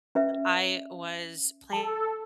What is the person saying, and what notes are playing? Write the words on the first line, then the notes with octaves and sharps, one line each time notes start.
I was planning
C#4 B4 E5
A4 A5